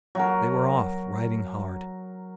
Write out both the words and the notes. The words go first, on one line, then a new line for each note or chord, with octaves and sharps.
They were off, riding hard.
F#3 A#4